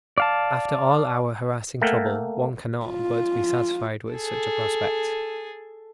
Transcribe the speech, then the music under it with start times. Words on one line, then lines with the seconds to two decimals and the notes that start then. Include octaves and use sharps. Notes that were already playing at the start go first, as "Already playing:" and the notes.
After all our harassing trouble one cannot but be satisfied with such a prospect.
0.18 D5 F5 A5
1.82 A3 A#3 F#5 G5
2.86 F4
4.13 G#4 A4